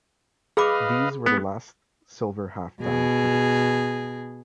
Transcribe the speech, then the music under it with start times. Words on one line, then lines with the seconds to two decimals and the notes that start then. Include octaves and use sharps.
These were the last silver half dimes produced.
0.57 G#4 B4 D#5 F5 B5 D6
1.26 B3
2.81 B2 G#4